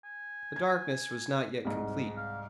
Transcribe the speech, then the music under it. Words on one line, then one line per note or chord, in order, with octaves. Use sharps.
The darkness was not yet complete.
G#5
G#6
C2 G#2
F5